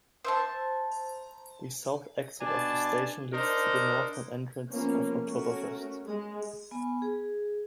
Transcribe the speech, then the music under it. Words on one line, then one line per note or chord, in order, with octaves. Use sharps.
The south exit of the station leads to the northern entrance of Oktoberfest.
C5 E5 A5
B2 D4 G#5 A5
D4 D#4 A#4 C5
F3 A#3 B3 C#4
A3 C#4 F#4 A#4
G#3
B3 G#5
G#4